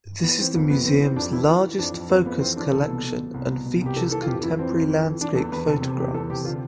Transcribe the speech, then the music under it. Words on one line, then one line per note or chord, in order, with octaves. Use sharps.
This is the museum's largest focus collection and features contemporary landscape photographs.
E3 B3
E3 C4
F2 B3
F2 B3
B3
E3 C4
E3 C4
F2 D4
E3 E4
E3 F4
E3
F2 D4
F2
F2 C4
F2 B3
E3 C4
E3 D4
C2 A4
B2
B2
B2
C2
B2
B2
C2
G4
E3 A4
E3 A4
F4
F2 G4
E3 E4
F2 C4
F2
E3
E3
E3 D4
E2 A4
E2 B4
C3 A4
C3 G4
E2 G4
E3 A4
C3 G4
D3 F4